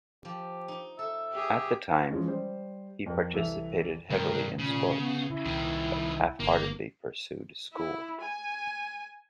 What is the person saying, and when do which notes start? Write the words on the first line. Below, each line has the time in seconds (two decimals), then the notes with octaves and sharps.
At the time, he participated heavily in sports, but half-heartedly pursued school.
0.25 F3 G4
0.68 D#4
0.99 A4 E5
1.32 G4 G#4
2.11 E3 F3 G#3 C#4
2.28 G3 C5
3.06 F2 A#4
3.33 C2 E3 A4 E5 F7
4.10 G2 C3 D#3 A3 A#4
4.59 A#2 C#3
4.97 B3
5.30 C#3 E4
5.45 C2 D#3 G3
6.40 G1 A#3
7.73 E4
8.21 G#5